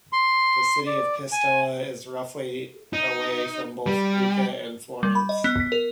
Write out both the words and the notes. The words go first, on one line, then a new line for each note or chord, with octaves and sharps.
The city of Pistoia is roughly away from both Lucca and Florence.
C6
D5
G#5
D#4
G3
G3
B5
D#5
B3
B6
A#4